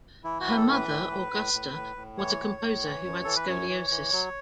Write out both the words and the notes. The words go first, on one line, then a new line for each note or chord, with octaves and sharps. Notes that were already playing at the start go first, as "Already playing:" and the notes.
Her mother, Augusta, was a composer who had scoliosis.
E3 E4
F#4
A2 B4
A4
E3
B4
A2
A2
A2
A2
A2
A2
E3 C#5
A2
A2
E3
F#2
E3 A4
B4
F#2 C#5
E3
E3
F#3